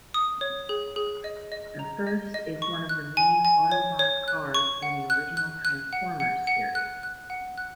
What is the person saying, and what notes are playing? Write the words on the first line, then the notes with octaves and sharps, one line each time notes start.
The first is one of the main Autobot cars from the original "Transformers" series.
D#6
C#5
G#4
G#4
D#5
D#5
A#5
D#5
D#5
C#6
F#6
G#5
G#5
C#5
C#5
F#6
C#6
F#5
F#6
F#6
F#6
F#5
F#5
F#5
F#6
F#6
F#5
F#6